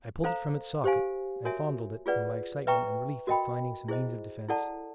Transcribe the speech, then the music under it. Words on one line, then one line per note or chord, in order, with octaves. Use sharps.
I pulled it from its socket, and fondled it in my excitement and relief at finding some means of defence.
A4 C5 F5 A#5
G4 C5 F5 G#5
F#4 A#4 C#5 E5 G#5
F4 G#4 B4 D5 F#5
B4 E5 G5 A#5 C#6
F#4 A#4 D#5 G5 B5
E4 G#4 C5 D#5
E4 A4 D5 F#5 A5